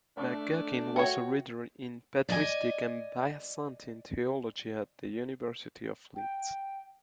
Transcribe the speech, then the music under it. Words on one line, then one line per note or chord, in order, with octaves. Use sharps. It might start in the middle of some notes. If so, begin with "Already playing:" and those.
McGuckin was a Reader in Patristic and Byzantine theology at the University of Leeds.
A3 D4
F#4 C#5 E5 G5
D5 D#5 G#5
G5